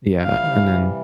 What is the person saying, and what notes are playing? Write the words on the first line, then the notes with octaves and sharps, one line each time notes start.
yeah. And then
C3 E3 G3 F5